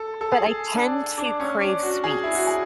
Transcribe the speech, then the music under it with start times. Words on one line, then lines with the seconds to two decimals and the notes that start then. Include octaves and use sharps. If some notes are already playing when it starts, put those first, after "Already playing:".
but I tend to crave sweets.
Already playing: A4
0.21 A4
0.32 G#4
0.75 D4
1.18 D4
1.40 C#4
1.61 D4
1.83 F#4
2.04 G#4
2.23 E4
2.35 F#4
2.47 G#4